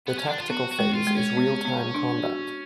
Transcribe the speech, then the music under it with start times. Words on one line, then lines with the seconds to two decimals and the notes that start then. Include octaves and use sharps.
The tactical phase is real-time combat.
0.07 B3
0.18 C#4
0.28 D4
0.39 F4
0.50 B3 F#4
0.72 F#4
0.79 G#3
0.93 F4
1.07 G#3
1.15 C#4
1.37 B3
1.65 B3
1.94 D4
2.23 F#4